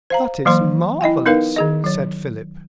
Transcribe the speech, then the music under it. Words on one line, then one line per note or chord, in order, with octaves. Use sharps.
"That is marvelous!" said Philip.
C5 F5 A#5
E3 F#3 A#3 C5 C6
E4 D#5 G5 G#5
B3 D#4 A#4 B4 F5
D#3 G#4 D#5
F#3 C#5